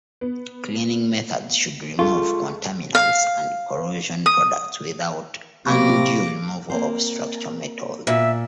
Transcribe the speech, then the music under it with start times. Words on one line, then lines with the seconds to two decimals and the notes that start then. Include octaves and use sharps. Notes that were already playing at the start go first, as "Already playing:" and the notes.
Cleaning methods should remove contaminants and corrosion products without undue removal of structural metal.
0.21 B3
1.99 C#2 F4 A4 C#6
2.95 F5
4.26 D#6
5.66 C3 F#3 A#3 F5 B5 C#6 D6 A#6
6.70 A#3 C4 C5
8.07 A#2 E5